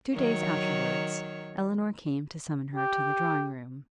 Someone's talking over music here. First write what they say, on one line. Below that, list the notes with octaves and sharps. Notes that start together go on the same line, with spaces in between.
Two days afterwards, Elinor came to summon her to the drawing-room.
D#3 F#3 C#5
G4